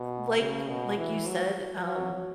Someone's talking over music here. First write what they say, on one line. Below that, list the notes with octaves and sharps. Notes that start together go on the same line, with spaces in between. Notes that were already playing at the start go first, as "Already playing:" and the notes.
uh, like like you said, um,
Already playing: B2
C#3
B2
E3
F#3
F#3